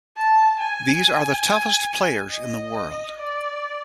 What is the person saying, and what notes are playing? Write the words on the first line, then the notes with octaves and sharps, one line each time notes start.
These are the toughest players in the world.
A5
G#5
D#5
D5